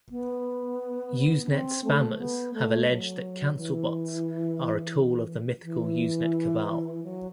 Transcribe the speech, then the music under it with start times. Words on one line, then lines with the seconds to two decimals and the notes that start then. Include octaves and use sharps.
Usenet spammers have alleged that cancelbots are a tool of the mythical Usenet cabal.
0.11 B3
1.45 D4
1.50 C4
1.84 A3
2.18 B3
2.54 A3
2.88 F#3
3.57 E3
5.64 E3
7.03 F#3